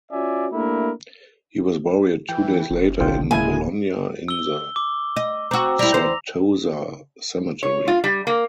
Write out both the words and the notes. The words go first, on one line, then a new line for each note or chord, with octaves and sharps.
He was buried two days later in Bologna in the Certosa cemetery.
C#4 F4 F#4 D5 E5 G#5
A3 A#3 D4 E4 G4 A#4
E3 G5
F#1
B1 D3 D#3 C#4 F4 G5
D1 C#3 G#3 A#3 E4 G#5 G#6
E6 G7
D6
D#5
C4 F#4 A#5 D6 E6
G3 E4 A#6 F7
E2 C5
C#5
F4
G3
A#3